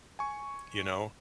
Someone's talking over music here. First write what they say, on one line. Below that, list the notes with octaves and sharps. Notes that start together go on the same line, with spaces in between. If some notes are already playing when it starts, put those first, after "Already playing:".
you know?
G#5 C#6